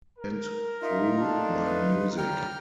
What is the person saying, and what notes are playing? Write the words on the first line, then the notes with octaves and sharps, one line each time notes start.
And through my music.
A#4
D#4 F4 E5
A3 D4 A5
B4
F#3 G3 G5 A#5 F6